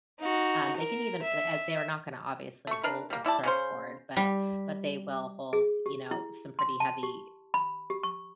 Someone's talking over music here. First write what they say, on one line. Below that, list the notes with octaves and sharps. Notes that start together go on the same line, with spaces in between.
Um, they can even le eh, they're not gonna obviously hold a surfboard, but but they will hold s you know, some pretty heavy eh,
D#4 F#4
A#4
E5
A3 C#6
D4 A#4 B4
G3 A#3
G3 E4 D5 A5
C#3 C#4 C5
G3
G#4
G4
E4
C6
A5
G4
B5
G4
C#6